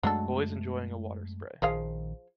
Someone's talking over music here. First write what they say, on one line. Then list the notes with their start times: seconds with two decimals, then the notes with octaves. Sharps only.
Boys enjoying a water spray.
0.03 F#2 F#3 G#3 A3 D4 A4
1.62 A#1 D#3 F3 G#4 F5